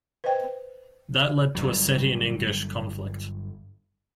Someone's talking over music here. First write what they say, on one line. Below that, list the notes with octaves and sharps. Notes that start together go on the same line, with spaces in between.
That led to Ossetian-Ingush conflict.
B4 C5 D#5 G5
G1 G2 F#3